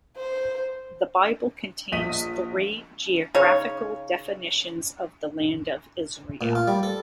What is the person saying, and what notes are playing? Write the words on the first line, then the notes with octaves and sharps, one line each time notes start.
The Bible contains three geographical definitions of the Land of Israel.
C5
A#1 D#5 B6 D#7
C#3 D#4 C#5
A#2
F4
G3
A4